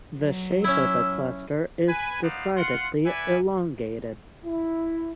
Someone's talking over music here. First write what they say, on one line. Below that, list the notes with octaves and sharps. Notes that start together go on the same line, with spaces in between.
The shape of the cluster is decidedly elongated.
F#3
C#4 E4 E6
B4 G#5
B3 D#4 C5 D5 F5 F#5
F4 F#5 C6
B4 D5 E5 F#5 G#5
E4